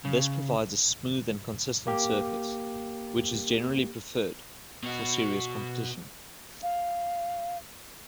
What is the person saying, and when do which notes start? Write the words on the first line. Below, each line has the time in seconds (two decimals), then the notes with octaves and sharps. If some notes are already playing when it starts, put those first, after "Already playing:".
This provides a smooth and consistent surface, which is generally preferred for serious competition.
0.05 C#3
1.87 A#3 G4
4.83 B2 F#4
6.63 F5